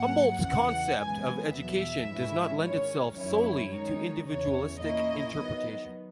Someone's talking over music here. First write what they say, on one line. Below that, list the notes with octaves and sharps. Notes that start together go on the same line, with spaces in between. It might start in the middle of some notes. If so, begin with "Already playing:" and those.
Humboldt's concept of education does not lend itself solely to individualistic interpretation.
Already playing: G#2 F#3 A#3 F#5
E2 C#3 E3 F#5
F#2 E3 G#3 B3 G#5
E2 B2 F#3 E5
G#2 E3 G#3 C#4 E4
D#3 G#3 C#4 C#5
F#2 D#3 F#3 C#4 E4 C#5
D#3 G#3 D#4
E2 C#3 E3 C#5
A#2 A#3 C#4 E4 D#5
D#3 F#3 B3